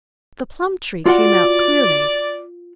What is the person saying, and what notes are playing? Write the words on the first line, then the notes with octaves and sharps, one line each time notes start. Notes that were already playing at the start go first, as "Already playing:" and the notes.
The plum tree came out clearly.
F4 F#4 D5 F#5